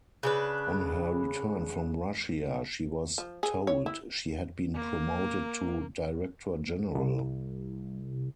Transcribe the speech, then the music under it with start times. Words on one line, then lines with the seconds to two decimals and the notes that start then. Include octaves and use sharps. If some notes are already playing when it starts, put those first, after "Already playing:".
On her return from Russia, she was told she had been promoted to Director-General.
0.23 C#3 D4 B4
3.18 F3
3.43 G#4
3.67 C#5
3.86 E4
4.75 A#3
6.95 C2